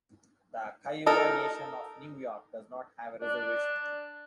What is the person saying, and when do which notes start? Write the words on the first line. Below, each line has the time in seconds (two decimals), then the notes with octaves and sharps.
The Cayuga Nation of New York does not have a reservation.
1.06 D#4 A4 A#4
3.22 D4 D5